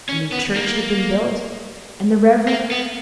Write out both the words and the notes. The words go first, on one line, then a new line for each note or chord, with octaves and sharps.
A new church had been built, and the Rev.
C#4
B3
A#3
A#3
B3